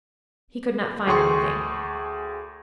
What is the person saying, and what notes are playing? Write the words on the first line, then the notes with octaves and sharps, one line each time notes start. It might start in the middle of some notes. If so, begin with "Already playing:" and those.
He could not find anything.
D2 G#4 G5 C6 C#6